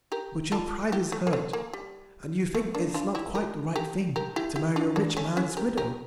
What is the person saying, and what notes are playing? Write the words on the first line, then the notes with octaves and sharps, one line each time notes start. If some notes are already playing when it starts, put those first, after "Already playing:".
But your pride is hurt, and you think it's not quite the right thing to marry a rich man's widow.
G4 A#4
F4 A4
E4 G4
A3
A#3
A3
A#3
G3
A3
A#3 D4
D4 F4
E4 G4
G4 A#4
G4 A#4
G4 A#4
E4 G4
E4 G4
D4 F4
A#3 D4
A3 C#4
C#4 E4
G4 A#4
G4 A#4